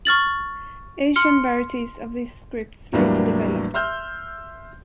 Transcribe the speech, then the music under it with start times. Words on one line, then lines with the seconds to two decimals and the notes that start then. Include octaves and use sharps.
Asian varieties of these scripts later developed.
0.05 C#6 F6 A6 F#7
1.16 C6 F6 C#7
2.93 E2 A2 F#3 G3 A#3 D4
3.74 E5 C6 E6 F6 G6